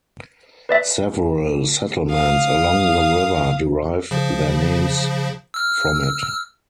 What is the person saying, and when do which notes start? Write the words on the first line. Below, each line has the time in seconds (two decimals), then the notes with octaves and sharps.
Several settlements along the river derive their names from it.
0.69 B4 D5 E5
2.10 F5 D#6
4.11 C#3 F3
5.54 E6 F6